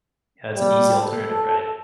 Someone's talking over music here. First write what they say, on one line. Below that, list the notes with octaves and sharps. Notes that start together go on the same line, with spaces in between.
yeah, it's an easy alternative, right?
G3
A4